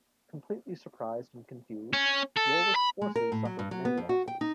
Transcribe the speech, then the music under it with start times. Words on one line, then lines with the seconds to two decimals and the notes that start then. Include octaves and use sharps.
Completely surprised and confused Warwick's forces suffered many losses.
1.93 C#4
2.37 A4
2.76 B5
3.02 G#3
3.16 A#4
3.32 A2
3.45 F#3
3.59 G2
3.71 F#3
3.85 B3
3.97 F2
4.09 F#4
4.28 G5
4.41 D#4